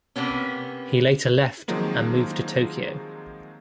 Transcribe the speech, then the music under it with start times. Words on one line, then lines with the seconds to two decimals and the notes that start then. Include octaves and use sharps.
He later left and moved to Tokyo.
0.16 C3 A#3 B3 C#4
1.68 C3 D#3 F3 F#3 G#3 A#3